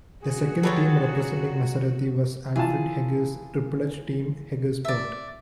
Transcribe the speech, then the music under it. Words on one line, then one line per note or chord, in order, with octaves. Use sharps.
The second team representing Maserati was Alfrid Heger's Triple H Team Hegersport.
G2 F#4 G#4
F#3 G3 F4 A4 B4 C#5
E3 F4 G#4 A5
D5 E5